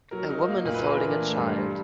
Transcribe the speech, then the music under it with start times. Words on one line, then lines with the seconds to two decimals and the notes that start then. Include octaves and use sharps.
A woman is holding a child.
0.11 F#3 A#4
0.30 D#4
0.48 A#3
0.65 A#2
0.74 B4
0.83 E3 A#4
1.01 D4
1.20 A3
1.38 G2
1.56 G3